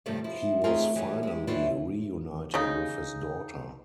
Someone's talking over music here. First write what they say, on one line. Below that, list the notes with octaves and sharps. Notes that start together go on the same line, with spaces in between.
He was finally reunited with his daughter.
G2 C3 D#3 F3 G3 A3
F3 E4
A3 C4 D#4 F4 G#4 A#4
E3 F#3 D#4 G4 G#4
G#3 G4
E3 F#3 G3 B3 E4 F4
C#3 D#4